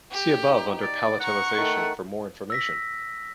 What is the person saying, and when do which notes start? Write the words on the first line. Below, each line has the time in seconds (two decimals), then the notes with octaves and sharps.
See above under "Palatalization" for more information.
0.11 G4
0.49 D#4
0.81 D5
1.20 F#5 A#5 C#6
1.58 D#3 A3
2.50 E6 A#6 B6